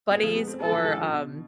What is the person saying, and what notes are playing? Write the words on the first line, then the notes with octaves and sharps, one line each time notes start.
Buddy's or, um,
G#3 B3 G#4
F3 A3
G#3 B3
A3 C4
G#3 B3 A4
F3 A3
E3 G#3
D3 F3
B2 D3